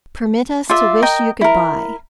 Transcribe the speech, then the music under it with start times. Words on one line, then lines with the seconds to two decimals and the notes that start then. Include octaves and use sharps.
Permit us to wish you good-by.
0.70 F4 D5 E5
1.02 A#4 D#5 G5 A#5
1.41 E4 A#4